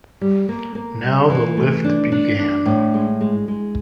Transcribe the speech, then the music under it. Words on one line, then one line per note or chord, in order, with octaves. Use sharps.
Now the lift began.
G3
A#3
A#3
G3
E3
A3
D4
D4
D4
A2
G#3
G#3
G#3